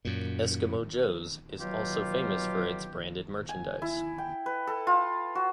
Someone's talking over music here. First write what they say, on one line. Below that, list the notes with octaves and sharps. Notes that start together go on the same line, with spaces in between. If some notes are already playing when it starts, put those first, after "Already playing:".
Eskimo Joe's is also famous for its branded merchandise.
F#2 A#2
B2 F#3 F4 G4
G#5
E4
G5
B4
A4
F4
F#4